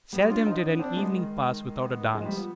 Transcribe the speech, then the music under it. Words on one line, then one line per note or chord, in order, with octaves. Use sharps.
Seldom did an evening pass without a dance.
G3 B3
D4 F4
B3 D#4
B3 D4
C4 D4
G#3 B3
D#3
D#3
D#3
D#3
B3
D#3
F3 G#3
G3
B3
F3